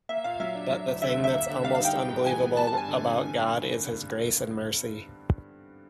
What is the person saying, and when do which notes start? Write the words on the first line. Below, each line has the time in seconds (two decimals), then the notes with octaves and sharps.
But the thing that's almost unbelievable about God is His grace and mercy.
0.09 A#3 E5
0.24 A#2 F5
0.40 F#3 E5
0.55 D4
0.71 F#3
0.87 D2
1.02 D3 E5
1.18 D2
1.24 E5
1.33 A#3
1.49 D3
1.63 G3 F5
1.75 F5
1.80 D#4
1.85 G5
1.95 G3
2.10 G#2
2.26 E3 G#5
2.42 B3
2.57 G3 A5
2.67 A5
2.72 G2
2.78 G#5
2.88 D3
3.04 C4